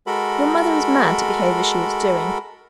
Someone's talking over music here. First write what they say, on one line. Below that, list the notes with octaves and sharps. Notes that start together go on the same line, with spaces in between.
Your mother is mad to behave as she is doing.
G#3 F#4 A4 A#4 B5